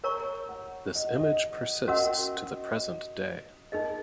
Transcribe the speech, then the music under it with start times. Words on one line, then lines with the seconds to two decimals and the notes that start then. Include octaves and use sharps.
This image persists to the present day.
0.04 A#4 C#5 A#5 C#6
0.49 F#5
0.95 D#5
1.07 F#5
1.19 D#5
1.87 C#4 F#4 A#4 D#5 F#5
3.72 D#4 G#4 A#4 D#5